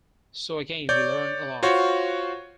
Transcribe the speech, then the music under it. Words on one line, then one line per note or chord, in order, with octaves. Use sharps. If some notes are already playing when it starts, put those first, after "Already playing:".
So again, we learned a lot.
C#5 D5 D6 G6
F4 F#4 C5 C#5 C#6